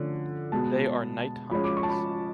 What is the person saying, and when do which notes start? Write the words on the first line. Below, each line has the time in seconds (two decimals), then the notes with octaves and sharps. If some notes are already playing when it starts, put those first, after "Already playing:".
They are night hunters.
Already playing: D3 F3 A3 C#4
0.52 B2 G#3 B3 A5
1.51 F3 G#3 C#4 B5
1.64 D6
1.77 C#6
1.83 A5
1.89 B5